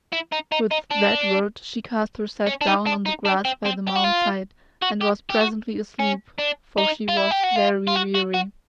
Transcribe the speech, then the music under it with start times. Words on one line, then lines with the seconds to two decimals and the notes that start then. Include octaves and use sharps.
With that word she cast herself down on the grass by the mound-side, and was presently asleep, for she was very weary.
0.12 E4
0.32 D#4
0.52 D#4
0.71 D#4
0.91 D4
2.47 C#4
2.62 D4
2.67 D#4
2.87 D4
3.06 D#4
3.26 D4
3.45 C4
3.65 C4
3.87 G4
3.95 F#4
4.04 F4
4.82 F#4
5.01 G4
5.30 G4
5.41 F#4
6.00 C#4
6.39 D4
6.78 D#4
7.09 F4
7.17 E4
7.31 G4
7.44 F#4
7.56 F4
7.87 F4
7.96 F#4
8.15 F#4
8.34 F#4